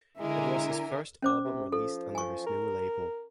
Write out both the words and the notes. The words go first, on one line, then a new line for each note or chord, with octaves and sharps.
It was his first album released under his new label.
D3 G#3 E4 A#4 E5 G#5
C#4 C5 D6
C3
F3 A4
G#5 C#6
A#4